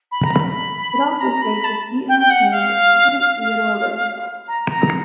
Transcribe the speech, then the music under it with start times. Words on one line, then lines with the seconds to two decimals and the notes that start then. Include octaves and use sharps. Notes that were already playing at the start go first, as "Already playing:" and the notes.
It also states that she entertained President Theodore Roosevelt.
0.11 B5
0.24 A#5
0.33 B5
1.20 A#5
1.41 B5
1.63 A5
2.08 G5
2.19 G5
2.30 F#5
2.51 F5
3.38 F5
4.47 A#5
4.69 A#5